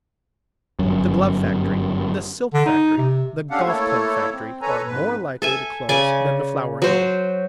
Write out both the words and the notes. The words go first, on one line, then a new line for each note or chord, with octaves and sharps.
The glove-factory, the silk-factory, the golf-club-factory are more likely to close than the flouring-mill.
G1 F#2
D3
D#4
C3
C#4 D4 G4 A4 F5 F#5
A3 A#3 E4 A4 C#5
C4
A4 B4 C#5 G#5 A#5
F2 G#2 B4
A4 E5 G#5
C#3 D5 G#5 D6
F#3 C5